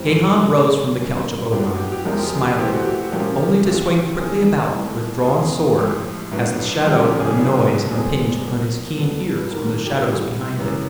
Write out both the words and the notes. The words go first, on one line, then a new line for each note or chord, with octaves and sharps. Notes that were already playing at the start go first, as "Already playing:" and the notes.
Gahan rose from the couch of O-Mai, smiling, only to swing quickly about with drawn sword as the shadow of a noise impinged upon his keen ears from the shadows behind him.
Already playing: G#2 E3 G3 C4
A4
G#4
A#2 F#3 A3 C4
B2 G3 A#3 C#4
A2 F#3 B3 D4 G4
F#4
G4
G4
E2 C3 F3 G#3 A#4
G4
G#4
G4
C3 E3 A3 C4 G4
F#4
G4
F#4
A#2 F3 A#3 C#4 G4
C#2 C3 E3
E2 C3 D#3 G#4
C2 C3 E3 A3
E2 B2 G#3 C#4 G#4
A2 F3 G#3 G4
A2 F#3 B3 D4
C#2 C#3 F3 F#4
G4
G#4
G2 D#3 F#3 B3 D4
A4
E2 B2 G#3 C4 G#4
B2 F#3 A#3
C2 B2 F#3 B3 A4
B4
G#2 D#3 G3 A#3 A#4
A4
G4
C3 E3 G3 F#4
F#2 C#3 E3